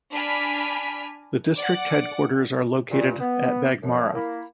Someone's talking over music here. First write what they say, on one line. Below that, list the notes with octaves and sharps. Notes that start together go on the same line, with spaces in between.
The district headquarters are located at Baghmara.
D4 G#5 B5 F6 B6
D5 F#5
G2 A#2
B3
F#2 F3
A#3 E4